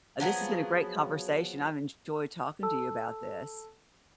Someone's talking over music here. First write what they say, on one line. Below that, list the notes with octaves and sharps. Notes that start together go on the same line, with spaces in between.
Uh, this has been a great conversation. I've enjoyed talking to you about this.
F3 F#3 B3 G#4
A4 A5 E6